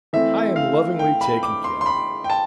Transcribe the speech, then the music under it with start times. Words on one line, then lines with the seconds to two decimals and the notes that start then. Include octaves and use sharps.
I am lovingly taken care of.
0.13 E3 A3 C4 E5
0.56 F5
0.99 G5
1.21 B5
1.43 D6
1.64 C6
1.81 C6
1.86 B5
2.24 G5
2.30 A5